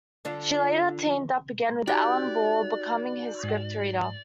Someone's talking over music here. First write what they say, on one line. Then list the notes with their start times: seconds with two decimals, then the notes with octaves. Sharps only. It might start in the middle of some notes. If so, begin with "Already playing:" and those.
She later teamed up again with Alan Ball, becoming his script reader.
0.25 D3 D4 F4
1.87 D#4 F#4 G4 D5 F#6
3.44 G#2